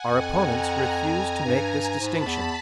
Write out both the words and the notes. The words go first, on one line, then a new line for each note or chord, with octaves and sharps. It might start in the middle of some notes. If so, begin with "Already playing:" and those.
Our opponents refuse to make this distinction.
Already playing: F#5 G#5
F2
G#5 A#5
G2
G#2 A5 B5
E2